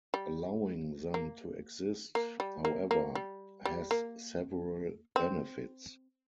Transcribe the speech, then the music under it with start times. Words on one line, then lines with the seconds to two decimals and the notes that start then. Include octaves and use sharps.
Allowing them to exist, however, has several benefits.
0.14 G3
1.14 A#3
2.15 A#3
2.40 G3
2.65 A#3
2.91 A#3
3.15 G3
3.65 G3
3.91 A#3
5.16 C4